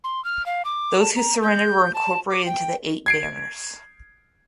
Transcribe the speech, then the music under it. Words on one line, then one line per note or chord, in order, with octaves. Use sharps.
Those who surrendered were incorporated into the Eight Banners.
C6
F6
F5
D6
A5
A#5
G6
A5
D6
G5
G#6 C7 D7